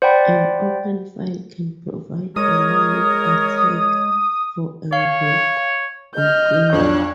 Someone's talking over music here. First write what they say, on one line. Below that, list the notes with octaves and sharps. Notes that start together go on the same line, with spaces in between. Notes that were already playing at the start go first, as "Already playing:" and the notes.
An open file can provide a line of attack for a rook or queen.
C5 D5 F#5 G5 B5
G#3 G#4 A#4 C#5 D#6
C#5 F5
D#5 F6 G6
B1 F2 D4 C#5 F#6